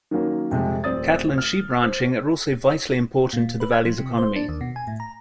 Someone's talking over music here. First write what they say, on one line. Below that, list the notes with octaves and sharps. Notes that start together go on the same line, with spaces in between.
Cattle and sheep ranching are also vitally important to the valley's economy.
D#3 F#3 A#3 C#4
F2 C3 G#3
D1 C4 D5 D#6 A6
F6
C5
A#2
B4
G#6
F3
C3
C5
D4
D#2
B2
G#5
A2
A#5